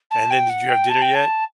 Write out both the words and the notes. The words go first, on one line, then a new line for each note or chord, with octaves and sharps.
And then did you have dinner yet?
A5
G5
F#5
G5
A5
G5
A5